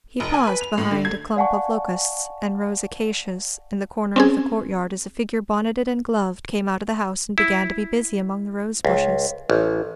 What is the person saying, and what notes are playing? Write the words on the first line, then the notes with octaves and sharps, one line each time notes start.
He paused behind a clump of locusts and rose-acacias in the corner of the courtyard as a figure bonneted and gloved came out of the house and began to be busy among the rose-bushes.
F1
G#5
B4
F7
A2
D3
G#6
D5 F5 F#5 G#5 A5 C#6
C4 C#4 G#4
E4
C#2
A1